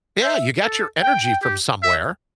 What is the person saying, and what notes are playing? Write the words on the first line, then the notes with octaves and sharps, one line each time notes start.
Yeah, you got your energy from somewhere.
C5 E5
A4
G5
G4
E5